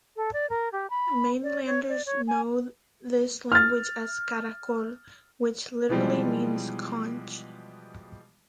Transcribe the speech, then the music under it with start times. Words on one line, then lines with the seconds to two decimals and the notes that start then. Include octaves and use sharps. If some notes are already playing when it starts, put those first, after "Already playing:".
Mainlanders know this language as "Caracol", which literally means 'conch'.
0.16 A4
0.33 D5
0.50 A#4
0.72 G4
0.90 B5
1.43 D5
1.66 C#5
1.89 D5
2.06 C#5
2.28 G#5
3.52 F6 A6
5.89 B2 E3 F3 G3 G#3